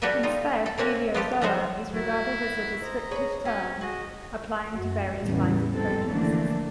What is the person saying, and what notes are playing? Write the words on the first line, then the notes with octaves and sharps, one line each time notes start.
Instead, "heliozoa" is regarded as a descriptive term applying to various lines of protists.
G3 F#4 G4 A4 B4 E5
G3 D#4 F4
A4
A#3 C4 C#4 F#4 C#5
B3 F4 G4 A4
F3 F#3 G#3 F#4 C5
F#3 E4 F#4 A#4
C5 D#5 A#5
G#4 B4 C#5
C4 C#4 F#4
F#4 G#4 D#5
F#2 F#4
E2 A2 C#3 G3 A3 B3
G#2 F3 G3 B3 C4 A4
D3 E3 F3 A3 A#3 D4